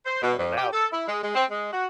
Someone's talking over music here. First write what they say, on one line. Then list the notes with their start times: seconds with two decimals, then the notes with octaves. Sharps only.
You know, now,
0.06 C5
0.22 B2
0.37 F2
0.57 G4
0.73 A4
0.92 E4
1.07 G#3
1.21 G#3
1.35 C4
1.50 G#3
1.72 F#4